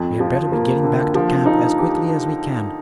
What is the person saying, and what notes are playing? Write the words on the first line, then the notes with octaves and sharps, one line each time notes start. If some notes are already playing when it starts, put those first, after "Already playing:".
We had better be getting back to camp as quickly as we can.
Already playing: F2
F3
A#3
D3
F3
D#4
G4